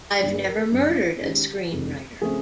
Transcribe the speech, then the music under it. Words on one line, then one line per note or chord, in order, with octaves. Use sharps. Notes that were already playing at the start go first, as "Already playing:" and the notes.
I've never murdered a screenwriter.
G2 D3 G3 A#3 D#4 D5
B4
A#4
G#4
F#2 C#3 F#3 A#3 C#4
D#3 G#3 C#4 G4
F2 C3 E3 G#3
C#3 F3 A3 C4 G#4